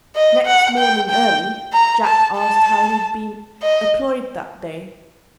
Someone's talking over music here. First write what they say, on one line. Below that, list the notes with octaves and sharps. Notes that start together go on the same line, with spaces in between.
Next morning early, Jack asked how he'd be employed that day.
D#5
F#5
G5
G5
A#5
A5
A5
D#5